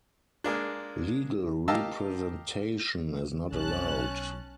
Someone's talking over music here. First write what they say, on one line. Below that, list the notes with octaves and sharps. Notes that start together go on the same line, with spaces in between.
Legal representation is not allowed.
G#3 A#3 D4
G4 A#4 D#5 F5 A5 E6
B1 C#4 A5 F#6